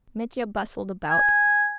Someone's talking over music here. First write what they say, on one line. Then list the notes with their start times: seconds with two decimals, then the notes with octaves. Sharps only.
Mitya bustled about.
1.09 G#5